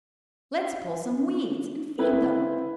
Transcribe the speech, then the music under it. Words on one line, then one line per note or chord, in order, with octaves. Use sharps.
"Let's pull some weeds and feed them."
C4 E4 B4